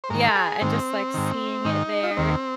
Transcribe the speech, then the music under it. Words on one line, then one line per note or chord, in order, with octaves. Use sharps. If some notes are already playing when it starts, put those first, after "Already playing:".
Yeah, and just like seeing it there.
C5
G#2 D#3 A#4
G#4
G#2 D#3 C4
G#2 D#3
G#2 D#3 D#4
F4
D#4
D#2 D#3 C4